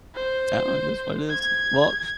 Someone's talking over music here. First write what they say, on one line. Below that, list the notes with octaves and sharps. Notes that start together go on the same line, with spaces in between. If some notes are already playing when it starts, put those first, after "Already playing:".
That one this one is well,
C5
G#6